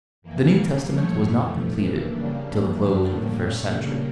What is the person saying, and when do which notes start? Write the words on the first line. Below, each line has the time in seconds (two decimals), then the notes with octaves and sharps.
The New Testament was not completed till the close of the first century.
0.22 F2 E3 A#3
0.53 A#2 G3 A#3 A#4
0.85 A#2 F3 A3 C#5
1.17 F2 E3 A3
1.48 G2 F3 A3
1.80 G2 E3 A#3 D4
2.12 C#3 G3 A#3 D4
2.43 F2 E3 G3 A#3 D4
2.74 G2 D3 F3 A3 D4
3.06 A2 G3 A#3
3.38 A#2 A3 C#4
3.69 C#3 G3 A#3 D4